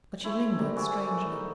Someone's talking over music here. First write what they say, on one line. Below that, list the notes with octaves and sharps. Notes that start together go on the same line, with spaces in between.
But she lingered strangely.
A3 E4 C5
F#2 G3 G4 A#5
F#4 G#4 D5 E5
A2
D#4